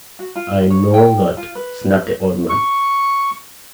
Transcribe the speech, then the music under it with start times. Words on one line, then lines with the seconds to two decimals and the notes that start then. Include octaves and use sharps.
"I know that," snapped the old man.
0.19 F#4
0.36 F4
0.70 C#5
0.94 G5
1.37 F4
1.55 B4
2.49 C#6